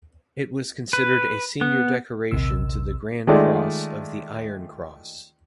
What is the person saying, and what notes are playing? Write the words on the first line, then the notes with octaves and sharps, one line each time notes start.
It was considered a senior decoration to the Grand Cross of the Iron Cross.
B4
B3
A#1 D#2 C3 E6
D#3 G#3 A3 F4 D5